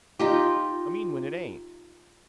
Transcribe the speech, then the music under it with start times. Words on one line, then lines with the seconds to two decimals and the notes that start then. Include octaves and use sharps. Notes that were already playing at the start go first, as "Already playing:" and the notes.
"I mean when it ain't."
0.19 D#4 F4 G4